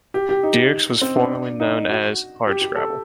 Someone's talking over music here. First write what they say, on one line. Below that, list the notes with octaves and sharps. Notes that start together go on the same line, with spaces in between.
Dierks was formerly known as "Hardscrabble".
G4
G4
D#4
C4
D4
D#4
F#4
G4
G4
A4